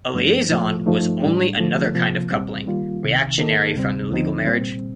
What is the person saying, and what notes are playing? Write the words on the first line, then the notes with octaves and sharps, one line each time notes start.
A liaison was only another kind of coupling, reactionary from the legal marriage.
G2 F3 A3 D4
C2 A#2 F3 A3
G2 F3 A3 D#4
A2 G3 D4
D3 F3 A3
C3 F3 A#3
C2 A#2 G3 C4
D#3 G3 A#3 F4
C2 C3 D#3
D#3 A#3 D#4 A4
D2 C3 G3 C4
D#2 D3 F3 C4 D#4
A#2 G3 C4